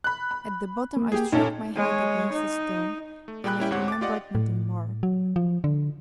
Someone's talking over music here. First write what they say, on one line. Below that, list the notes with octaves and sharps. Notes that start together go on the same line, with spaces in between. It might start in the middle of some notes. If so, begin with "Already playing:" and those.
At the bottom I struck my head against a stone, and I remembered nothing more.
B5 F#6
B5
A#3
G4 G#4
A#2 C#4 D#4 A4
G#3 C#5
D#4
A3
A#2 G#4 G5 B5 F#6
A#3 C#4 E4 G5
D2 G#2 C4 G4 C#5 F#5
D6 A6
F4 G4 D5 D#5 F#5
A2
F#3
F3
D3